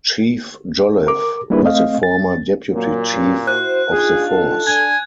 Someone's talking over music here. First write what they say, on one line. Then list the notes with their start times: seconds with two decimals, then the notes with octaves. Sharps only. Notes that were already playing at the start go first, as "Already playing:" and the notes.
Chief Jolliffe was a former Deputy Chief of the force.
1.07 A#4 D6
1.50 G3 A#3 D4 E4 G#4 B4
1.64 A3 C4 D#5 F5
2.03 A6
2.72 A#2 F#3 A#3
3.12 G2 F#3
3.47 E4 F#4 C5 F#6
3.91 D4 D#4 F4 G#4
4.31 A4
4.67 D4 G#5 G#6